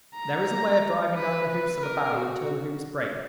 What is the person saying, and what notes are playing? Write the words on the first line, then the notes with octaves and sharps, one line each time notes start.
There is a way of driving down the hoops of a barrel until the hoops break.
A#5
B4
B4
A#4
F#4